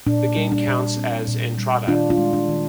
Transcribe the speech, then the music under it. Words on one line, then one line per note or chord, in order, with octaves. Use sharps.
The game counts as "Entrada".
A#2 D4
G3
D4
A#2
C4
A#2
G3
D#3 D4 F4
D4 F4
G#3
D4
D#3